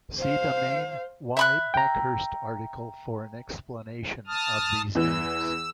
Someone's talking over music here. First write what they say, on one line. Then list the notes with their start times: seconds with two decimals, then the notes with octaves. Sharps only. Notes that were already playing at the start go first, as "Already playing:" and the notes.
See the main Y. Bhekhirst article for an explanation of these names.
0.19 C5 F5
1.37 E5 B5 F#6
1.74 G5 A#5
4.27 A5 D#6 F6
4.95 E2 E3 E6